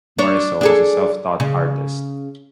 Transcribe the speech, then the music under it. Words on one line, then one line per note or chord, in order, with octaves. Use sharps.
Morrisseau was a self-taught artist.
D4 C#5
D4 G#4 A4
C#3